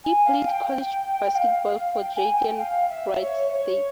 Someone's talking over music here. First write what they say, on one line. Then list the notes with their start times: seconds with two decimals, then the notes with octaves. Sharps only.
He played college basketball for Drake and Wright State.
0.04 G#5
0.25 F5
0.46 G5
0.66 G5
1.30 G5
1.35 F5
1.94 G5
2.15 G#5
2.36 G5
2.57 F5
2.89 E5
3.21 C#5
3.53 C#5